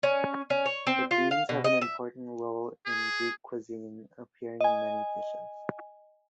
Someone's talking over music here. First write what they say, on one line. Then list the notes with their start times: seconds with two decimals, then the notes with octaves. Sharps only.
The beans have an important role in Greek cuisine, appearing in many dishes.
0.03 C#4
0.50 C#4
0.66 C#5
0.87 C4
1.11 F4
1.31 F5
1.49 B2
1.64 D#5
1.82 E5
2.86 G#4
4.60 D#5 G#5